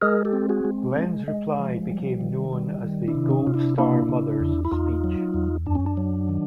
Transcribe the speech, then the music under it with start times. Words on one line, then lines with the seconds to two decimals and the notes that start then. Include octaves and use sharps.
Glenn's reply became known as the "Gold Star Mothers" speech.
0.01 G#3 G#4 A#4
0.25 G4 A4
0.33 C4
0.49 F#4 G#4
0.65 G#3
0.96 G#3
1.28 G#3
1.59 F3
1.90 G3
2.21 D#3
2.53 G3
2.84 D#3
3.08 D4 E4
3.15 C3
3.30 C#4 D#4
3.47 C3 F4
3.54 D4 E4
3.78 A#3 D4 E4
4.09 C#3
4.40 E2
4.65 E4
4.71 E2 D#4 F4
5.04 F#3
5.34 E2
5.66 F#2 D4
5.75 C#4
5.86 D4
5.97 F#3
6.29 D#3